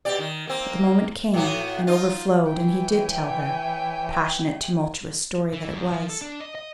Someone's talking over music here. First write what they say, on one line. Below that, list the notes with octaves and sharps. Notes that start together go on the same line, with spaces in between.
But the moment came, and overflowed, and he did tell her--passionate, tumultuous story that it was.
B2 G4 D5
D#3
A#3 C4
A2 B3 F#4
D#4 F4
E3 C#5 E5 G5 G#5
E3
F#2
F3
A4
D4
D#5
D#5